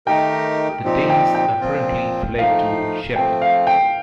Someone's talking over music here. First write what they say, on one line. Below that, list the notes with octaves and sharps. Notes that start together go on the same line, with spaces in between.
The Danes apparently fled to Sheppey.
D#3 A3 D#4 G4 A#4 G5
A#2 F3 C4 D#4 G4
G5
G5
A#2 F3 C4 F4
F3 A3 D#4 F5
F3 A3 C4 G5
F5
G5